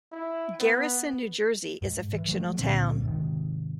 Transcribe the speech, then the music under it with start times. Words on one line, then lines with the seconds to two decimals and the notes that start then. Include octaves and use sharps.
Garrison, New Jersey, is a fictional town.
0.12 E4
0.60 B3
1.82 G#2
2.13 E3
2.29 F3 F#3 G#3 A3
2.59 C#2 A#2 D3 C4
3.04 G#2 C3 D#3